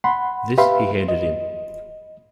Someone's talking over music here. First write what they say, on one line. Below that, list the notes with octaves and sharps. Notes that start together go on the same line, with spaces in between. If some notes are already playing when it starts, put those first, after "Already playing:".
This he handed in.
F#5 B5 C6
G4 B4 E5 F5 B5 C6
D#5